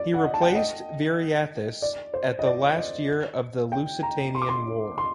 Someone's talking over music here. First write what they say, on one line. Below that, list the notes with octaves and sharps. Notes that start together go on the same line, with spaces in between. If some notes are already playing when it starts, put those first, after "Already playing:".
He replaced Viriathus at the last year of the Lusitanian War.
Already playing: D5
F#5
D#5
A5
G5
F#5
D#5
D5
C5
D#5
D5
D#5
G5
A#5
C6
D6
C6
C6